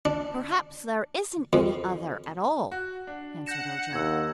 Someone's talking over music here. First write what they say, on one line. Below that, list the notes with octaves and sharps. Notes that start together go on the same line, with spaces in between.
"Perhaps there isn't any other, at all," answered Ojo.
D4
F2
F#4
D4
F#5 G6 A#6 C#7 E7
D#2 E6 G#6